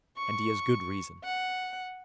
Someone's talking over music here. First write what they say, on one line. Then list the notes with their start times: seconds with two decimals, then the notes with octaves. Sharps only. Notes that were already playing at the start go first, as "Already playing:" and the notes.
And he has good reason.
0.17 C#6
1.24 F#5